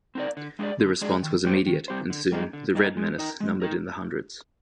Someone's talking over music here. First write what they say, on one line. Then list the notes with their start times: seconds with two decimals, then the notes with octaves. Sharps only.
The response was immediate, and soon, "The Red Menace" numbered in the hundreds.
0.15 C4 D#4 A#4 D5
0.37 D3
0.59 G#3 D4 G#4 D5
0.80 D3
1.01 G#3 D4 G#4 D5
1.23 D#3
1.45 G3 C4 G4 C5
1.66 D#3
1.88 G3 C4 G4 C5
2.10 D3
2.32 G3 A#3 D#4 G#4
2.53 D3
2.75 G3 A#3 D#4 G#4
2.97 G#3
3.18 D#4 A#4
3.40 G#3
3.62 D#4 A#4